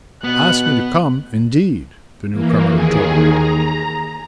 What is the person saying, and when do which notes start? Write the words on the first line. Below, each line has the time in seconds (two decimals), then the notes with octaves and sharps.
"Asked me to come, indeed!" the newcomer retorted.
0.24 B2 B3 F#6
2.32 E3 A#3
2.67 D#2 D#3 G#4
3.27 A#5